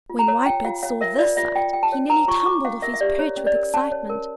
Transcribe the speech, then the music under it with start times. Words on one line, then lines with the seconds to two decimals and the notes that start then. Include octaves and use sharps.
When Whitebird saw this sight, he nearly tumbled off his perch with excitement.
0.10 F4
0.19 A#5
0.28 C#5
0.46 F4 G5
0.65 F4 F5
0.83 C#5 F5
1.01 A#4 E5
1.19 F4 D5
1.37 F4 E5
1.55 F4 G5
1.73 F4 G5
1.83 A5
1.92 C#5
2.09 A#4 A#5
2.28 F4 C#6
2.41 C#6
2.46 F4 D6
2.65 C#4 F5
2.82 A#4 E5
2.94 E5
3.01 G4 D5
3.19 E4 C#5
3.37 C#4
3.47 D5
3.55 A#4
3.74 C#4 A5
3.92 C#5
4.10 A#4